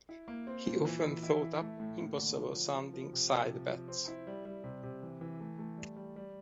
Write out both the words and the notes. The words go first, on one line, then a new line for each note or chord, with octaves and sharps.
He often thought up impossible-sounding side bets.
E4
A#3
C4
A#2
E3
E3
E4
E4
A3
A2
A#3
D3
F3
F3
F3
F3
C3
C3
F3
F3
C4
E4
G3
G3
C3
C3
E3
E3
A3
A3
G3
G3
G3